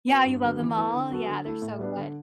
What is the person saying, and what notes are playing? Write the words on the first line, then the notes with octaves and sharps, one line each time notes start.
yeah, you love 'em all? Yeah, they're so good.
B3 F#4
G2
D3 F#3 B3
E3
B3 E4 A4
D3
F#3 B3 F#4 A4
D3
A3 E4 A4
A2
G3 B3 D4
D3